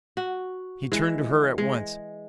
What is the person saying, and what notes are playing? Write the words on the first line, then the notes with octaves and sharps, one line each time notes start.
He turned to her at once.
F#4
E3 G#3
G#3